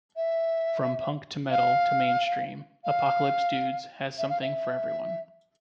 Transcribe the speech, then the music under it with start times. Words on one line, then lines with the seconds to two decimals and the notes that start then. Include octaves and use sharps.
From punk to metal to mainstream, "Apocalypse Dudes" has something for everyone.
0.16 E5
1.51 F5
2.85 F5
4.18 E5
4.30 F5
4.41 E5